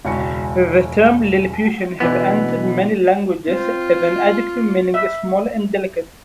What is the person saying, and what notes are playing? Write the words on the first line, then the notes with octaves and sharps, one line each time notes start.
The term "Lilliputian" has entered many languages as an adjective meaning "small and delicate".
E1 C#2 F#4 G#5 C#7
B2 D3 E3 B3
C4 F4 C5
E5